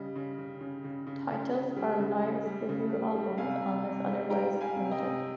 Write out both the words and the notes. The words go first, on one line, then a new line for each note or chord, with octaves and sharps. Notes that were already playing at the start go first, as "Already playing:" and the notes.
Titles are live studio albums unless otherwise noted.
Already playing: C#3 G3 D#5
C#3
C#3
C#3
C#3
C#3
C#3
C#3
G3
C#3
C#3
G3
C#3
G3
G3
C3 F5 G#5
C3
C3
G3
G3 G5 A#5
G3
F5 G#5
C3
D#5 G5
C3